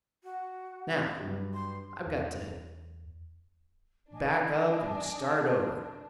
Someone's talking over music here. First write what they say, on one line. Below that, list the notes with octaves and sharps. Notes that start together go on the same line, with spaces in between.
Now, I've got to back up and start over.
F#4
G2 F#3
C6
E2
D4 D#5 G#5 D6